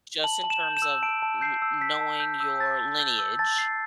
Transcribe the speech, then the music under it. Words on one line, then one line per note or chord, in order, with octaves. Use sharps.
just in terms of l knowing your lineage
A5 F#7
A5
E7
G6
E7
E6
A5 D7
A5
G6 C7
E6
A5 B6
A5
G6
E6
A5 A6
A5
G6
E6
A5 A6
A5 C7